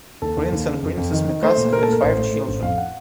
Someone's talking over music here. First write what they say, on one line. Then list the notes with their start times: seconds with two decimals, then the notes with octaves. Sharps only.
Prince and Princess Mikasa had five children.
0.22 D#2 A4
0.37 D#2
0.52 D#2
0.67 C#3
0.82 F2
0.98 F2
1.12 D#3
1.27 D#3
1.42 A3 C5
1.57 A#2
1.73 A#2 A#4
1.83 A3 A4
1.93 A#4
2.02 A1 C5
2.18 A3
2.33 A2
2.47 A1
2.62 F2 F5
2.78 F#5